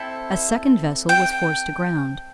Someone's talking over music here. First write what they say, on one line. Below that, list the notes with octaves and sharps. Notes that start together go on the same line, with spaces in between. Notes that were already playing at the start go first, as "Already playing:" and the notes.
A second vessel was forced aground.
Already playing: C4 E4 A4
G5